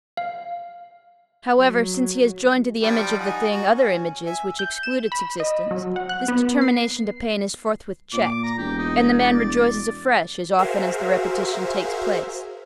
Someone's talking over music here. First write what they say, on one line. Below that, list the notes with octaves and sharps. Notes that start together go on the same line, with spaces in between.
However, since he has joined to the image of the thing other images, which exclude its existence, this determination to pain is forthwith checked, and the man rejoices afresh as often as the repetition takes place.
F5
F#3
F3 G3 D4
D#4 F#5 G#5
F#4
C#4
E5 G#5
G6
E7
B5
D#5
F#3
F#5
F#6
B3
C7
A#2 D6
A#5
E1 G4
D#4
D5
F#4 G#4 A#4 C5 E5 F5